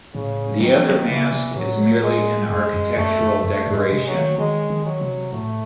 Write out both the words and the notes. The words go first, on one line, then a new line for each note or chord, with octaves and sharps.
The other mast is merely an architectural decoration.
A2 C#3
D#3 F#3
E3
F#3
C#3 E3
C3
A2 F#3
G#3
F#2 G#3
F#2
F#2 A3
F#2
F#2 A3
G#2
G#3
C3
F#3
D#3
D#3 G#3
D#3
F#3
C3
A2 A3